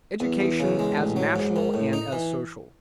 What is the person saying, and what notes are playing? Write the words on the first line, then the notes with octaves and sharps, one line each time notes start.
Education as National and as Social.
E2
E2
C#3
G#3
A1
F#3
G#2
D#3
A2
D#4
E3